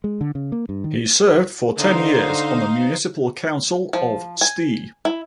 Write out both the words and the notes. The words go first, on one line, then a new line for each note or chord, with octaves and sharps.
He served for ten years on the municipal council of Ste.
G#3
D3
C#3
A#3
G2
D#3
D3 D#4 C5 F5
F3
G#5
E4